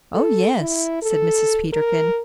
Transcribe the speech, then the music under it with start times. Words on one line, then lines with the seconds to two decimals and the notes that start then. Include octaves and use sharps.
"Oh, yes," said Mrs. Peterkin.
0.14 A4
0.59 E4
1.02 A4
1.73 A#4